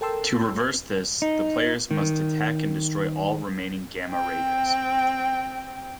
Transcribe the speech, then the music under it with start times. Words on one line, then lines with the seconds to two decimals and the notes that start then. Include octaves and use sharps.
To reverse this, the players must attack and destroy all remaining Gamma Raiders.
0.01 A4 A#4 G5 A5 C6 E6
1.22 D#4
1.91 D#3
4.11 C4 G5